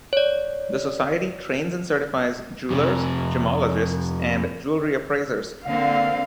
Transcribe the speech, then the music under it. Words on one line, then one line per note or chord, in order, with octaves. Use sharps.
The Society trains and certifies jewelers, gemologists, and jewelry appraisers.
C#5 D5
F2 C3
D3 A#3 C4 F5